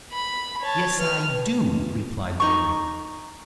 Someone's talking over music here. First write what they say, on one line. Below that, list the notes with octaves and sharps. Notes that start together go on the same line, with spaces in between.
"Yes I do," replied the woman.
B5
C#5 A5
B4 F6
D#4 C#6